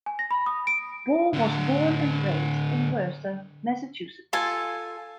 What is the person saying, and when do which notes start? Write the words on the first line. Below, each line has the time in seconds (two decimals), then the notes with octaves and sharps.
Ball was born and raised in Worcester, Massachusetts.
0.06 G#5
0.19 A#6
0.31 B5
0.46 D#6
0.67 D7
1.33 A2 D3
4.33 F4 A4 G#5 A5